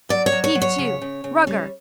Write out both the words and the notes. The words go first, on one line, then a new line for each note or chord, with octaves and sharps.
Heave to. Rugger.
F#3 D5
C#5
F#3
C#5
F#3
C#5
C#3
C#3
C#3
G3